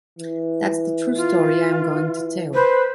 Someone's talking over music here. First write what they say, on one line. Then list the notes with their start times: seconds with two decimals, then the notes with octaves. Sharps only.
That's the true story I am going to tell.
0.19 E3
1.16 F4
2.54 B4 C5